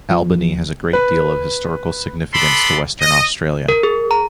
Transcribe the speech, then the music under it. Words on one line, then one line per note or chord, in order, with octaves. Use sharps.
Albany has a great deal of historical significance to Western Australia.
F3
B4
B3 A4 D5 B5 C6
D#5
A#4
G#4
A#5